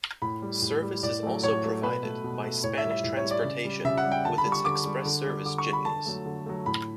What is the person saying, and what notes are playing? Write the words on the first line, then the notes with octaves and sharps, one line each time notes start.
Service is also provided by Spanish Transportation with its Express Service jitneys.
A2 B5
G3
A2
G3
A2 D5
F#3 A3
A2 C#5
F#3 A3
B2 B4
A3
B2
A3
A2 C#5
E5
G3
E5
A2
C#5
G3
D5
C#3
G3
C#3 E5
F#5
G3
G5
D3 A5
B5
G3
C#6
D3 D6
G3
D3
G3
D3 D6
C#6
G3
B5
D3 A5
F#3 A3
D3
F#3 A3
A2 B5